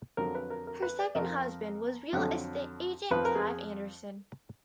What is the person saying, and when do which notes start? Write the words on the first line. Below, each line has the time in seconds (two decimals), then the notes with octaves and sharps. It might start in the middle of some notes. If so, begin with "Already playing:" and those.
Her second husband was real estate agent Clive Anderson.
0.17 F2 D3 F#3 A#4
0.35 B4
0.50 A#4
0.67 A#4
0.82 B4
0.99 D5
1.15 F2 F3 A#4
2.13 F2 D3 F#3
3.11 F2 F3 B4
3.25 A#4
3.35 G#4